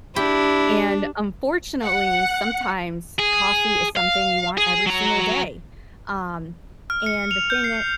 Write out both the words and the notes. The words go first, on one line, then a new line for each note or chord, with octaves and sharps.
and, unfortunately, sometimes coffee is something you want every single day, um, and the thing it
D4 E4 G4
F#5
G#4
F5
G#4
F#3 A#5
F6
C#7
F7
G6
C7